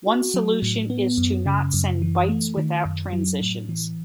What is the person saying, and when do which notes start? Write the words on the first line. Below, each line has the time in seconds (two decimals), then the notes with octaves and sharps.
One solution is to not send bytes without transitions.
0.07 F#4
0.34 F#3
0.62 A2
0.90 B3
1.18 F#2
1.46 C#3
1.74 F#2
2.02 E3
2.29 A3
2.57 D#3
2.85 F#2
3.13 F#3
3.41 A2
3.69 E3